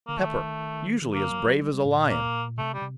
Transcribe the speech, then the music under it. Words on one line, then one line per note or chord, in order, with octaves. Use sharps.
Pepper, usually as brave as a lion!
D3 A#3
D#3 A3
D#3
D3 A#3
F#3
F#3
G3
G3
A2
A#2
A#3
C3 A3
G3
C3